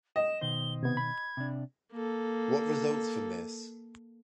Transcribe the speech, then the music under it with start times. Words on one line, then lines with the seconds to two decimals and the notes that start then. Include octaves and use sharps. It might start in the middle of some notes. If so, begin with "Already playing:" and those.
What results from this?
0.16 D#5 E7
0.41 B2 D#3 C5 G7
0.83 C3 B3 G#6
0.97 B5
1.37 C3 D4
1.92 A#3 A4